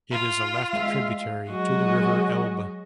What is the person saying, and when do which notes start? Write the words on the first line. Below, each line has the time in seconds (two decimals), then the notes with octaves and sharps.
It is a left tributary to the river Elbe.
0.12 F4
0.73 G#3 E5 F5
1.47 F#3 G#3 F#4 D#5